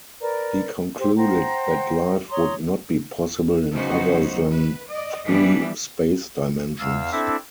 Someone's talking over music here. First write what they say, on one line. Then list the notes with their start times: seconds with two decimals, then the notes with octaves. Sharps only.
He concluded that life would not be possible in other than three space dimensions.
0.21 A#4 B4 D5 A#5
0.98 G4 C5
1.16 C5 F#5 G5 A#5
2.31 C#5 A#5 C6 D#6
3.73 C#3 F#3 B3 D#4 F#4 C5
4.52 B4
4.90 D5 D#5
5.25 E3 F3 G3 B3 D4 E4
6.79 E2 F5 E6
7.12 C4 D4 E4 A4 E5